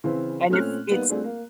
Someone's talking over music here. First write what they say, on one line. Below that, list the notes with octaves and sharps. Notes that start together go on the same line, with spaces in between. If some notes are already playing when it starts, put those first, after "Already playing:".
and if it's
C#3 E3 C4 E4 B4 C5
A#2 A3 C4 C#4 F6 F#6
G3 A#3 B3 D#4
G3 A3 C4 D4 F4 G#4
A#3